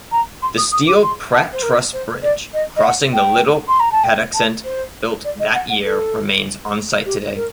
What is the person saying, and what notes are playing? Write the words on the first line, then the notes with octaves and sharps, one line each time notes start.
The steel Pratt-truss bridge crossing the Little Patuxent built that year remains onsite today.
A#5
C6
D#6
D#6
D6
C6
A5
C5
A#4
C5
D5
D#5
D#5
F#5
G5
C6
A#5
A5
G5
A5
C5
D5
D#5
F#5
F#5
A4
G4
A#4